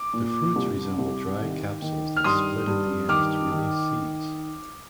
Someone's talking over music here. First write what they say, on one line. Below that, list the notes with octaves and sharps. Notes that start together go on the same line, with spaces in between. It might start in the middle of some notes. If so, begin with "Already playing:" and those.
The fruits resemble dry capsules that split at the ends to release seeds.
Already playing: D6
A#2
C2
C2
D#3
D#3
F6
G2 C6 D#6
G2
D#3 D6 F6
D#3